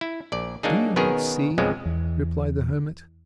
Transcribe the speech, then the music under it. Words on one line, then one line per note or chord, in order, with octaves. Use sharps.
"Do you not see," replied the hermit.
E4
A#1 D5
F#3 A#3 D4 D#4 G#4
B2 D#3 B3 C#4 G#4 A#4
B1 F2 B2 F3 F#3 G#3
E2